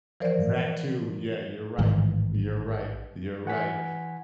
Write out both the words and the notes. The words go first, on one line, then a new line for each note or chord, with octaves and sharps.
That too, yeah, you're right. You're right. You're right.
E3 F3 A#4 C5 D5
A1 G#2 D#3 E3
E3 F#5 G#5 B6